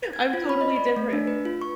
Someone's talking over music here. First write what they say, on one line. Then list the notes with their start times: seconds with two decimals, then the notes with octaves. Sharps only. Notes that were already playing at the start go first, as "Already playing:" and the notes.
I'm totally different.
0.13 G#6
0.33 F4
0.49 B5
0.61 D#5
0.76 D5
0.97 A3
1.13 D4
1.27 B4
1.45 F4
1.61 C#6